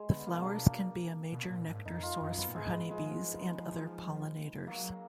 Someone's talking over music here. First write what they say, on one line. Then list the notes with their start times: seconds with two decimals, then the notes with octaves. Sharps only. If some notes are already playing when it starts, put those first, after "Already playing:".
The flowers can be a major nectar source for honeybees and other pollinators.
Already playing: G#3
0.09 D3 B3
0.27 B2 A#3
0.44 D4
1.32 B2
1.50 A#2
1.68 G#2
1.85 F2 D#4
2.03 F4
2.21 F#2 D#4
2.38 B3
2.48 A#2
2.55 G#2 G#3
2.90 F3 G#3
3.26 F3
4.67 F#3 A#3